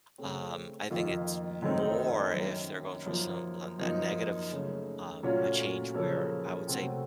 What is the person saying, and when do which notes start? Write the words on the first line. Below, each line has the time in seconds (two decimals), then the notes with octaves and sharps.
um, I think it's more if they're going through some a a negative, um, a change where I would say,
0.18 C#3 A3 C4
0.90 F2 D#3 A#3 F4
1.62 F#2 D#3 A3 C4 D#4
2.34 F#2 D#3 A#3 C#4
3.06 F#2 F3 A#3
3.79 F#2 F3 A#3 D#4
4.50 C#3 A3 C#4
5.23 A#2 F#3 A3 C#4 F4
5.94 C#3 F3 A#3 C#4 A4
6.67 C3 F#3 A3 C4 F#4